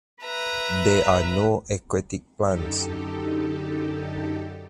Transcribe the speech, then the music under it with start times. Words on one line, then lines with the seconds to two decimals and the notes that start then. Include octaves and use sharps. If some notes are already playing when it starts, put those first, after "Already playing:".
There are no aquatic plants.
0.24 B4 E5 A#5
2.42 F#2 D3 D#4 G4 A4